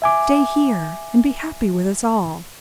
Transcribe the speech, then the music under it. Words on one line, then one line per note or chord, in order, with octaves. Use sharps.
Stay here and be happy with us all.
E5 G#5 D6